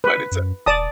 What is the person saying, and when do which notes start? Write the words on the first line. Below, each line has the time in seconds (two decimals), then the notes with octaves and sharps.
But it's, uh
0.04 B4
0.32 F#2
0.66 D#1 D5 A5 D#6